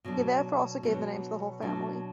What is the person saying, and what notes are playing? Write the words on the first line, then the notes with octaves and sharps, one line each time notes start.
He therefore also gave the name to the whole family.
B2 F#3 D4
B2 F#3 D4
B2 F#3 D4